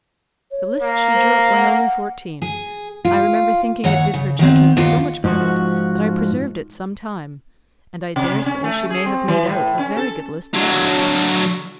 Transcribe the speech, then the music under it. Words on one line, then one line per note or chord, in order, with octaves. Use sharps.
The list she drew up when only fourteen--I remember thinking it did her judgment so much credit, that I preserved it some time; and I dare say she may have made out a very good list now.
C#5
A#3
C5
F#5
G#4
F4
D#2 C#5 F#5
C#3
D#3 B3 C4
D#2 D#3 F4 F#5
G#2 F3 F#4
C3
C#4
A3
G#4
C4
E3
A2
C#4
A4
D3 F#3